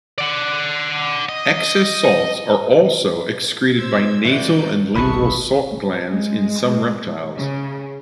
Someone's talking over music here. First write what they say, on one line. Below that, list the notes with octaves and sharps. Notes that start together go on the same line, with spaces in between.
Excess salts are also excreted by nasal and lingual salt glands in some reptiles.
D5 F#5
D#5
C5 E6 G#6
E3 G#3 A3 F#4 D5 G6
G1 C2 D#3 E3 G#4 A5 B5 C#6
G#3
C#3